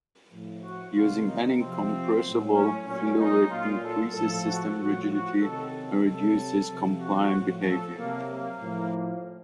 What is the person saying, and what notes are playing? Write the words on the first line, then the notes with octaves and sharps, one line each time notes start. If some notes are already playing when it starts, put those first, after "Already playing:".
Using an incompressible fluid increases system rigidity and reduces compliant behavior.
A2 F3
F#4
C3 D#3 F#3 F4
D#4
C3 F3 C4
A2 F#3
C#4
A#2 F#3 C#4
D#4
A#2 F#3 F4
A4
A2 F3 A4
F#4
A2 F3 F#4
F#4
C3 D#3 F#3 A4
C3 F#3 A4
C3 F3
F#4
A2 F3
A4
C3 F#3 A#3
A#3
A2 F3